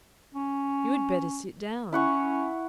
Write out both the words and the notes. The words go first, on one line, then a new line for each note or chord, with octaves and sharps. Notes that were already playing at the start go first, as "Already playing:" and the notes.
"You had better sit down."
C#4
C#4 E4 F#5 C#6